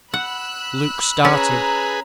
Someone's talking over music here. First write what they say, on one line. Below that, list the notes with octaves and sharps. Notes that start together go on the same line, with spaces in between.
Luke started.
F#5 B5 E6 F#6
C#4 G#4 B4 A#5